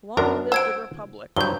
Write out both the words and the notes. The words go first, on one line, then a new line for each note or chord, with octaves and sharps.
Long live the Republic!
F#2 B3 D4 A#4
C5 F#5 E6 G#6 D7
G2 F3 F#3 G6 G7